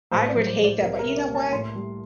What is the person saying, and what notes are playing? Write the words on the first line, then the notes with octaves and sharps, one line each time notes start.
I would hate that, but you know what?
A2 C5
D5
F#3
C5
A2
D5
C2 A#4
A#4
C3
D5
A#3
A5
A2 C6
G3